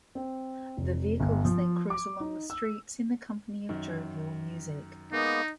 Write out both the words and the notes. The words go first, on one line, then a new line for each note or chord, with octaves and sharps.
The vehicles then cruise along the streets in the company of jovial music.
C4
F1
G1
F3
D6
D#4
E6
F#2 D#3
G#3 A#3 B3 D#4